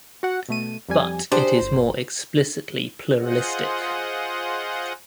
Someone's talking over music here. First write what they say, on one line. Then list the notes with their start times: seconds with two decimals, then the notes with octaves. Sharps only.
But it is more explicitly pluralistic.
0.23 F#4 F#5
0.49 B2 A3 D#7
0.89 F2 G3 G#5
1.32 D4 G4 G#4 C5
1.62 G1
3.20 F4 G#4 C5 D#5 F#5